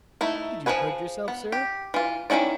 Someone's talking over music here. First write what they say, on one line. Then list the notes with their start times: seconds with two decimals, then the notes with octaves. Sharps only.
"Did you hurt yourself, sir?"
0.21 A3 D#4 E4
0.66 F3 E4 G#4 B4 G#5
1.28 B3
1.52 G4
1.94 E3 F4
2.30 D#3 E3 C#4 E4 D5